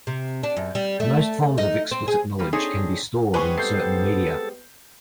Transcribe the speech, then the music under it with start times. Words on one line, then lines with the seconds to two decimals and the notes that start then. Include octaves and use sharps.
Most forms of explicit knowledge can be stored in certain media.
0.07 C3
0.43 D4
0.57 F#2
0.75 G3
1.00 A3
1.58 D#4
1.91 C4
2.08 G#4
2.39 G3 A#3 B4
2.53 C4 D4 D#4 G#4 A4 C#5
3.34 G3 G#3 B3 C4 B4 G#5 C#6
3.58 A4 G6 C7